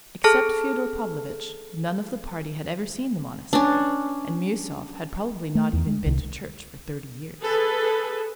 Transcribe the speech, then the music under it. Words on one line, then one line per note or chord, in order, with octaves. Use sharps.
Except Fyodor Pavlovitch, none of the party had ever seen the monastery, and Miuesov had probably not even been to church for thirty years.
G#4 A4 A5 F6
C#4 D4
A3
E2
G#3
C2
G#4 A4 B4